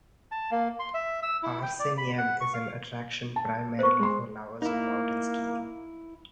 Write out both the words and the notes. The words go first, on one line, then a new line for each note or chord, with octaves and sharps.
Arsenyev is an attraction primarily for lovers of mountain-skiing.
A5
A#3
C6
E5
E6
E4
G5
D5
B5
F#5
C#6
F5
A5
B3 A#4 C5 C#6
G#3 C6
A#3 D#4 E4